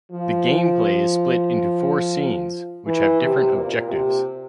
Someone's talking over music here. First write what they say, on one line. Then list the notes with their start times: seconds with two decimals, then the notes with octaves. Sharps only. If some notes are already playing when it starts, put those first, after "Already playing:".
The gameplay is split into four scenes, which have different objectives.
0.12 F3
2.86 E3
3.21 C3
3.55 A#2
3.89 C3